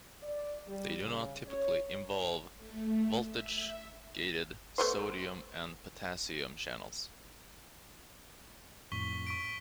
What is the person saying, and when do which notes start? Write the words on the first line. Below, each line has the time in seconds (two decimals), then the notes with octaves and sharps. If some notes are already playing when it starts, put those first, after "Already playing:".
They do not typically involve voltage-gated sodium and potassium channels.
0.23 D5
0.67 G3
1.02 C#3
1.47 C#5
2.55 A3
3.19 E5
4.78 A3 B3 C5
8.92 F2 A2 C#6 B6 G7
9.27 C#6 B6 D7